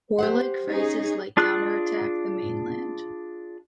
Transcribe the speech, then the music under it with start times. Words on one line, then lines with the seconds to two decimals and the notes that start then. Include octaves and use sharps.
Warlike phrases like Counterattack the mainland!
0.19 G4 C5 F#5
0.68 C#4 D#4 G#4
1.37 D4 F4 G#4 F#6